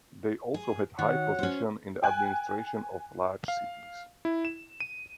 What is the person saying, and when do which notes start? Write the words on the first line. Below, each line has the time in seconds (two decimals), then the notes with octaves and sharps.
They also had high positions in the administration of large cities.
0.54 G#4
0.99 D#3 F#4 C#5 F#5
1.39 C#4 C5
2.02 G5 G#5 F#6
3.48 F5
4.25 E4
4.45 E7
4.80 D#7